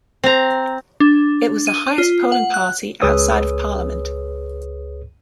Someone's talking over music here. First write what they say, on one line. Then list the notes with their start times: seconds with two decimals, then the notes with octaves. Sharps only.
It was the highest polling party outside of parliament.
0.24 C4 A#5
1.00 D4
1.67 D#7
1.98 F4
2.32 F#5
2.54 F#6
3.02 C#2 G#4 B4 C#5 D#6 E6